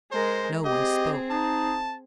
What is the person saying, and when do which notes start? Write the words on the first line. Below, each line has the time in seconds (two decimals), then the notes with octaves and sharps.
No one spoke.
0.12 G#3 A#4 C5
0.64 C4 G4 G#4 D#5
1.30 D#4 A5